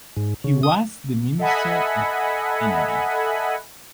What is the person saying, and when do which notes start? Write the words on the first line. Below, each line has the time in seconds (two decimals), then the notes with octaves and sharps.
He was the Minister of Energie.
0.16 G#2
0.44 C#3
0.63 D#6
1.39 A4 D#5 E5 F#5 G#5 B5